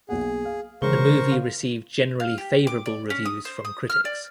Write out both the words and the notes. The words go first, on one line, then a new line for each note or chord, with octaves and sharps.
The movie received generally favorable reviews from critics.
B1 A#3 G#4 F#5
F5
A1 C#3 G#3 A#4 C5 C#6 G7
F5
F5
G4
D6
D5
C#4
D#6
C5
D#6
F6
D5